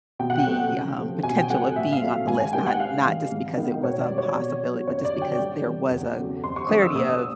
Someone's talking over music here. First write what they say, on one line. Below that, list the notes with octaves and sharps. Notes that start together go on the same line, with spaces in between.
the, um, potential of being on the list, not not just because it was a possibility, but just because there was a clarity of
B2 G5
F#5
G5
F#3 A3 C4
C#3
F3 A3
B2 G#5
G5
F#3 A3 C4 F#5
A2 E5
F5
F#3 A3 C4
G#2 G#5
G#5
D#3 G3 A#3 G5
F#5
C3 F5
E3 G#3
G#2
D#3 G#3 B3
B2 C#5
D5
G3 C4
C#5
B2
F#3 B3
F#2 C#5
D5
D3 F#3
G5
G2
E3 A3 C4
E2
C#3 F#3 A3
F2 C6
C#6
D3 F3 G#3 C4 D#6
E6
A#2 D#6